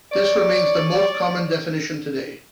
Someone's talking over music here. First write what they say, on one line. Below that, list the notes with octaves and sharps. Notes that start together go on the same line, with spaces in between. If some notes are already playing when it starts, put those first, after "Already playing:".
This remains the most common definition today.
C#5 D5